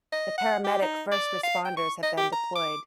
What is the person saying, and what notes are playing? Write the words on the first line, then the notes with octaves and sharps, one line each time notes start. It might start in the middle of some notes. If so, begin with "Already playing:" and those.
The paramedic first responders have been deployed.
D#5
F#5
G4
D#4
D5
F5
G5
C#6
D#5
G4
A#5
D6